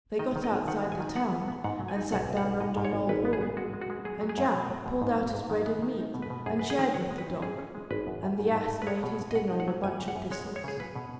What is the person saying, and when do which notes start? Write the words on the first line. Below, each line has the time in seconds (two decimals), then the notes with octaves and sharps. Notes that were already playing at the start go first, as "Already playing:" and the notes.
They got outside the town, and sat down under an old wall, and Jack pulled out his bread and meat, and shared with the dog; and the ass made his dinner on a bunch of thistles.
0.19 D#3 D#5
0.36 D#3
0.44 D#5
0.52 G#1
0.68 D#3 F#5
0.84 G#3
0.92 G#5
1.00 D#3
1.16 B3 F#5
1.32 B3
1.48 B3
1.64 G#2 F#5
1.80 F#3
1.88 G#5
1.96 D#4
2.12 B1 F#5
2.29 B1
2.37 F#5
2.44 B1
2.61 G#2 D#5
2.77 G#2
2.85 C#5
2.93 G#1
3.09 G#1 B4
3.25 B3
3.33 G#4
3.41 B3
3.57 G#3 F#4
3.73 G#3
3.81 F#4
3.90 G#3
4.05 F#3 G#4
4.21 F#3
4.29 G#4
4.38 F#2
4.54 B2
4.70 F#3
4.86 B2
5.02 G#2
5.18 F#3
5.34 G#2
5.50 D#3
5.66 B3
5.82 D#3
5.98 D#4
6.14 B2
6.22 B4
6.30 B2
6.46 F#2 G#4
6.59 F#2 B4
6.70 G#4
6.79 D#3
6.94 G#3 C#5
7.11 G#3
7.18 B4
7.26 D#4
7.42 C#4 G#4
7.58 C#4
7.75 G#3
7.91 G#1 B4
8.07 F#2
8.23 F#2
8.40 G#2
8.55 G#2
8.71 G#2
8.82 B4
8.87 G#3 C#5
9.03 B2
9.19 G#3
9.31 D#5
9.35 F#2 F#5
9.52 D#4
9.60 F#5
9.68 F#3
9.84 F#2 G#5
10.00 C#3
10.08 F#5
10.15 F#2
10.31 G#3 C#5
10.48 G#3
10.56 C#5
10.64 C#3 G#4
10.80 F#3 B4
10.95 B2